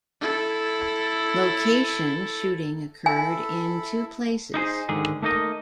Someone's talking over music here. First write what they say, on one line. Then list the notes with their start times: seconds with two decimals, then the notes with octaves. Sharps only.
Location shooting occurred in two places.
0.21 E4 A4
3.06 E4 A4 E5 G#5
4.54 D#4 E4 G#4 C5
4.89 G#2 D3 D#3 G#4
5.22 A3 A#3 D#4 A#4 D#5